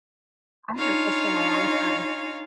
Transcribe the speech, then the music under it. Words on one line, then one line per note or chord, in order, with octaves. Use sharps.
I haven't fished in a long time.
D4 D#4 F4 C#5 F5 G#5